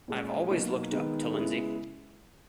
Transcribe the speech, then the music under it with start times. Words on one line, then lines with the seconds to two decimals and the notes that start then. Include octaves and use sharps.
I've always looked up to Lindsey.
0.08 A#2 G#3 C#4
0.50 B2 F#3 A#3 D#4
0.91 D#3 G#3 B3 D#4
1.33 C#3 G#3 B3 E4